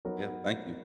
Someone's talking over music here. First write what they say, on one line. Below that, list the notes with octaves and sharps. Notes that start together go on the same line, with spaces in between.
Yeah, thank you.
F#3 B3 D#4 A#4 C#5